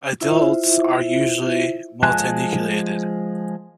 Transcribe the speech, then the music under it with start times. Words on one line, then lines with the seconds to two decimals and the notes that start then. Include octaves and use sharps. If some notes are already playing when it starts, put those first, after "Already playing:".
Adults are usually multinucleated.
0.21 E4 F4 C5 E5
2.03 F3 G#3 G#5 A5 F#6